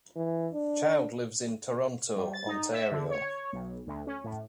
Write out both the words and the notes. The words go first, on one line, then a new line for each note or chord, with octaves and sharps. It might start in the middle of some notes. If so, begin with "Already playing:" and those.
Child lives in Toronto, Ontario.
E3
D4
G3
A6
D#4
E5
D3
C#5
B1
D2
C#4
A2